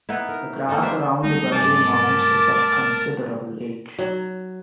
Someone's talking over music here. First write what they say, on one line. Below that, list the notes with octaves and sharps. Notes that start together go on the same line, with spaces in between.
The grass around the burial mounds is of considerable age.
B3 D#4 E4
A#4
A#3 C4 D#4 A4
G3 D4 C5 E5
F#3 G3 A3 D#4
A#4 G#5 A5 D6
F#3